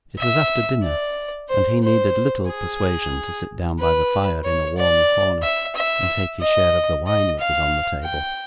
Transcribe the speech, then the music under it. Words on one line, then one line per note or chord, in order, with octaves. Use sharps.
It was after dinner; and he needed little persuasion to sit down by the fire in a warm corner, and take his share of the wine that was on the table.
E5
D5
C5
C5
G#4
B4
C#5
D5
E5
E5
D#5
D#5
F5
G5